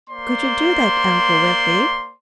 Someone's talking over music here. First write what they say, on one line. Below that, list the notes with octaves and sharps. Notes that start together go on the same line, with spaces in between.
"Could you do that, Uncle Wiggily?"
A#3 C5 D5 C6